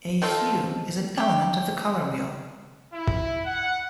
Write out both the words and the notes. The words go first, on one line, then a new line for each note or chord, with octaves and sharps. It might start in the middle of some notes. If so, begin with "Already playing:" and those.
A hue is an element of the color wheel.
D#3 F3 F4 A4
G4
E4
F#5